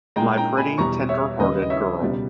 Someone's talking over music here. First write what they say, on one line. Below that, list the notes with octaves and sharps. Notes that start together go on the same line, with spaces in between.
My pretty, tender-hearted girl!
A#2 G#3 G5 A#5
G5 A#5
G#5 B5
E2 B2 G3 A#5 C#6
C#5 E5
D#2 C#3 G3 B4 D#5
D#5
C#5 E5
C#2 B2 G3